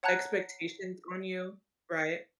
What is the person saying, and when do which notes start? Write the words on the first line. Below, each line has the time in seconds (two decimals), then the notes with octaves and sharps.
expectations on you, right?
0.03 C#5 F#5 A5 A#5 F#6 G#6